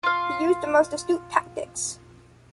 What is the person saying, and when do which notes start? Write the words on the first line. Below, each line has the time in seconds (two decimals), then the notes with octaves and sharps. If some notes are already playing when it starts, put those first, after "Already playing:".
He used the most astute tactics.
0.03 F4 F5